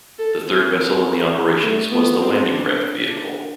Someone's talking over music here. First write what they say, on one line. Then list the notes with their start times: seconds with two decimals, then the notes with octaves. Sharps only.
The third vessel in the operations was the Landing Craft Vehicle.
0.18 A4
0.47 C4
0.76 C4
1.04 C4
1.63 A3
1.91 B3
2.21 C4
2.50 D4
3.07 D4